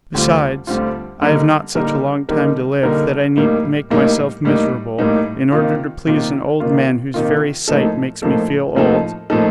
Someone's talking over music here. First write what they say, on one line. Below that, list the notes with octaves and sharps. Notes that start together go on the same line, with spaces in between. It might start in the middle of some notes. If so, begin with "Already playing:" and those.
Besides, I have not such a long time to live that I need make myself miserable in order to please an old man whose very sight makes me feel old.
D2 D3 G3 C4 F4
D2 D3 G3 C4 F4
D3 G3 A#3 D#4 A#4
D3 G3 A#3 D#4 A#4
D3 G3 A#3 D#4 A#4
D3 G3 A#3 D#4 A#4
A2 G3 A#3 D#4
A2 G3 A#3 D#4
A2 G3 A#3 D#4
A2 G3 A#3 D#4
C3 D#3 A#3 F4
C3 D#3 A#3 F4
C3 D#3 A#3 F4
C3 D#3 A#3 F4
A2 F3 A#3 D#4 A4
A2 F3 A#3 D#4 A4
A2 F3 A#3 D#4 A4
A2 F3 A#3 D#4 A4